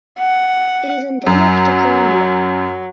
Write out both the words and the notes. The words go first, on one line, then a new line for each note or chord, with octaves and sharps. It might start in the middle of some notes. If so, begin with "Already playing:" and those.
It is endemic to Colombia.
F#5
F#2 F#3